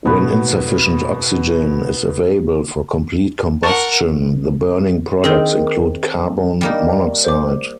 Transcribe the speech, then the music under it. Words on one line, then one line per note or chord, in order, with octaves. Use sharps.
When insufficient oxygen is available for complete combustion, the burning products include carbon monoxide.
G#2 B2 B3 B4
A#4 F#5 A5 C#6
D#3 C4 G#4 A#4
G3 A#3 D#4
C5 D6